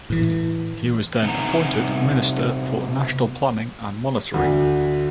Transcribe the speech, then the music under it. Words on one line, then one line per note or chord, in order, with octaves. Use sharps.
He was then appointed Minister for National Planning and Monitoring.
A2 E3
C3 B3 D#4 F#5 G#5 A#5
D2